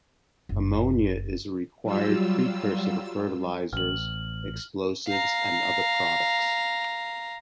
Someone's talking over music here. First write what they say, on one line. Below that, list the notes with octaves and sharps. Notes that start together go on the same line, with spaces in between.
Ammonia is a required precursor to fertilizers, explosives, and other products.
F#1
F#3 G3 F4 E6
A1 F6 F#7
F5 A#5